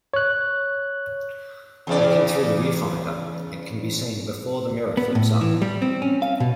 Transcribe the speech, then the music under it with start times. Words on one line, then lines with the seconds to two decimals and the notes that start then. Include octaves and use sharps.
Looking through the viewfinder, it can be seen before the mirror flips up.
0.14 C#5 F#6
1.87 E2 C#3 D5
4.97 B3
5.15 A2
5.41 E3
5.62 G3
5.82 C4
6.02 C#4
6.22 F5
6.40 B2